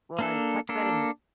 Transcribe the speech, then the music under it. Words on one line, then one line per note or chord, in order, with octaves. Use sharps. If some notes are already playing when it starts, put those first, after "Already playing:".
Boy, talk about am
A#3 D4 A4
A#3 D4 A4